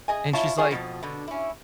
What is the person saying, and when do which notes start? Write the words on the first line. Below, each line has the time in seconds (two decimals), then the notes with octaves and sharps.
And she's, like,
0.08 G#4 D#5 G#5
0.33 G#2 E4 F4 C#5 A5
0.58 F4 G#4 C#5
0.71 F2 G#2 B2 F3
1.03 B2 D3
1.27 C#4 E4